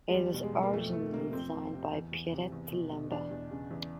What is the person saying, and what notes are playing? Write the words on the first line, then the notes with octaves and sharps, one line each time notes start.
It was originally designed by Pierrette Lambert.
G#3
E2 G3
B2
G#3
B2
A#3
F2 A3
F2 A3
C3 A#3
F2 C4
F2
C3
E2
E2
C3
E2
B2
B2
E2 D4
E2
C#3
E2